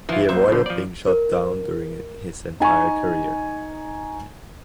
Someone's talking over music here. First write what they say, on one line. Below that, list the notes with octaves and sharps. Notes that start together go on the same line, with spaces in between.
He avoided being shot down during his entire career.
E3 F3 F4
F2 F#3 A#3 B4 C5 E5
B2 D3
F3 D5
A#4
D#4 G#5 A#5 C#6